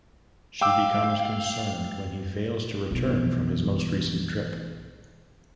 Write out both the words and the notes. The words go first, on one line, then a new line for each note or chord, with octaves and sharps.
She becomes concerned when he fails to return from his most recent trip.
F5 G5 D6 E6
B1 E3